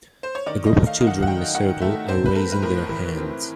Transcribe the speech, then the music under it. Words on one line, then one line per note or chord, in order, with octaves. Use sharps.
A group of children in a circle are raising their hands.
C5
C#5
D#3 D5
D#5
A3
F5
D#3
F#5
F#5
F#3 G5
D#3 F#5
A3 E5
C4 C5
B4
A3 A#4
B4
A2 A#4
E3
C4